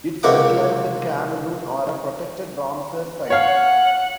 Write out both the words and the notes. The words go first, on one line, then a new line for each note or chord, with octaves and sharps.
Its wetlands in Cameroon are a protected Ramsar site.
C#2 C3 A#3 F#5 D6
C#5 F5 F#5